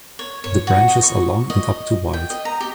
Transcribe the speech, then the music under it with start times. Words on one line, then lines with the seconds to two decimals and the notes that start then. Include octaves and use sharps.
The branches are long and up to wide.
0.19 C#5
0.44 C#5
0.67 F#4
0.88 D#5
1.03 C#6
1.50 D#5
2.13 G5
2.30 D#5
2.45 A#5
2.60 G4